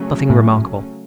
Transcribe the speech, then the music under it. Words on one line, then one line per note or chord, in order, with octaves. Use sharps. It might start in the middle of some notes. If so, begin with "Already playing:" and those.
Nothing remarkable.
Already playing: C#3 F#3 A3 C#4
A2